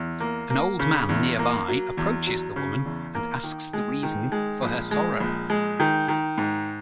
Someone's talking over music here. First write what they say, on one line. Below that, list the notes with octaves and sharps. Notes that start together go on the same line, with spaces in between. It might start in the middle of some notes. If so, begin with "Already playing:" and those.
An old man nearby approaches the woman and asks the reason for her sorrow.
Already playing: E2
A#3
A#3
C#3
E2
A#3
F#3
E2
F#3
C#3
E2
A#3
D#3
G#3
D#3
G#3
A#1
G#3
A#1
G#3
D#3
D#3
G#2